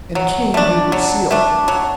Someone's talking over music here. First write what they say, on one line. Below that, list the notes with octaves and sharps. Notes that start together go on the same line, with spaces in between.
And Cain knew Lucille.
F#3
A3 D4
F#3
A3 D4
F#3